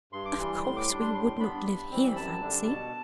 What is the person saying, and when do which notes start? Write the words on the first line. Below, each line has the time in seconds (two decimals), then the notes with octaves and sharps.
Of course we would not live here, Fancy.
0.13 G2 C6
0.25 D6
0.38 E3 G3 C6
0.64 A2 C6
0.76 D6
0.89 G3 C6
0.93 D4
1.01 C6
1.14 A2 C6
1.40 G3 B3 D4 B5
1.65 G2
1.91 E3 G3 C4
2.16 F#2 A5
2.42 D3 G3 D4
2.67 B2 A5